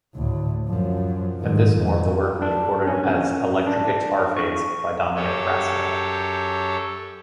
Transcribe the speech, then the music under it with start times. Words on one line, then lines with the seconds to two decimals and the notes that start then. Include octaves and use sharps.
In this form the work was recorded as "Electric Guitar Phase" by Dominic Frasca.
0.15 D2 A2
0.67 F#2 F3
1.40 G#2 D#3
1.77 F2
2.42 D4
2.87 C#4
3.67 D4
4.37 C#6
5.15 F#2 G4 A4 C#5